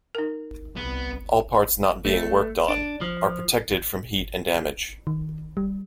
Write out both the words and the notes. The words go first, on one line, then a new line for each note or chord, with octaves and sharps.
All parts not being worked on are protected from heat and damage.
D#4 A#4
C2 B3
A3
D4
F3
D#3
G3